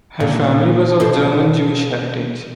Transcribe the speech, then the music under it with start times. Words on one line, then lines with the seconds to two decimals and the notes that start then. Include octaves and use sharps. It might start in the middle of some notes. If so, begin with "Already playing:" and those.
Her family was of German Jewish heritage.
0.20 A#2
1.00 B2 A4 C5